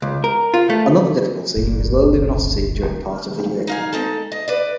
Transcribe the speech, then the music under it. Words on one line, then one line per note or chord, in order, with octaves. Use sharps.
Another difficulty is the low luminosity during part of the year.
C#2
A#4
F4
A3
D1 G1 A#2
D#4 F5 G#5
G#3 D#4 A4
D#5
B4 D5